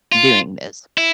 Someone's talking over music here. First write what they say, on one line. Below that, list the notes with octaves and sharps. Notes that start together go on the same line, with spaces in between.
doing this.
F4
E4